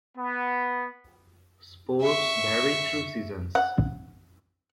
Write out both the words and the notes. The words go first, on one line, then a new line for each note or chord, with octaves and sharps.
Sports vary through seasons.
B3
E5 C#6
F#5